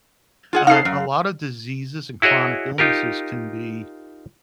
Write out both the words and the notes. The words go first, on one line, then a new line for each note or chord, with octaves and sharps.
uh, and a lot of diseases and chronic illnesses can be,
F4 G#4 F#5
D#4 G#4 A4 F5 C7
F#2
E4 F#4 G#4 C#5 D#5
D#4 F4 G4 A#4